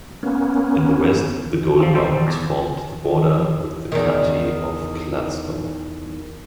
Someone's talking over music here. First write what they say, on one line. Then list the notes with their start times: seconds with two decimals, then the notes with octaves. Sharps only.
In the west the Golden Mountains formed the border with the County of Kladsko.
0.23 A#3 B3 C#4
1.80 F3 C4
1.95 B1 G3 A4 C5
2.27 E2
3.92 E2 D#3